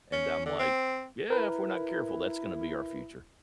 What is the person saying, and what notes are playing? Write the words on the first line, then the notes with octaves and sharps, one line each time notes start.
and I'm like, "Yeah, If we're not careful, that's gonna be our future,"
C#4
D3
C4
E4 A#4 B4